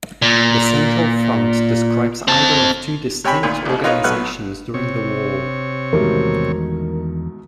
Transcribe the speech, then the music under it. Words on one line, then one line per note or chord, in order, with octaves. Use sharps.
The Central Front describes either of two distinct organizations during the war.
A#2
C4 A5
C3 C#5 G5 G#5 B5
D2 A#2 D#3
A1 D#2
D#4 F4 A#4 B4 C#5 D#5
B1 F#3 A3 F#4 B4 F6
C3 C#5
E2 G#2 B2 D#3 A3 G4 A#4